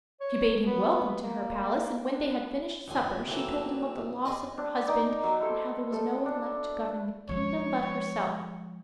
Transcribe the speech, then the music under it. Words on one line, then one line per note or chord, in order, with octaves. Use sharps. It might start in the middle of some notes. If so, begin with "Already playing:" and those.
She bade him welcome to her palace, and when they had finished supper she told him of the loss of her husband, and how there was no one left to govern the kingdom but herself.
C#5
B3
A#3
D4
A#1 D#2 G#5 C6
E3 F#3 A3 A#3 C4 E4
G#4 D5 D#5
D4
D#4 D5
F#3
E4 A4 C5
A3 A4
D4
F3 G#3 C#5